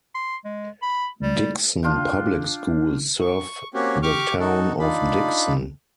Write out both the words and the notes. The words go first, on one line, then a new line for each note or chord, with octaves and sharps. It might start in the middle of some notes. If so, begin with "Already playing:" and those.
Dickson public schools serve the town of Dickson.
C6
G#3
B5
G3
D4 F4 F5 G5
C#6
A#3 C4 C#4 F#4 G4
G4 C#6 D6 F6
D#4 F#4 A4
D4 D#4 F4 B5